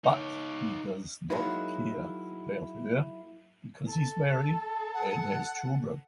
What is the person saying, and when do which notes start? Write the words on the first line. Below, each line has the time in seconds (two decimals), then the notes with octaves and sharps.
But he does not care about her because he is married and has children.
0.04 D#4 C#5
1.30 F#3 G#3 A#3 D#4 E4
3.88 A4
4.94 F#5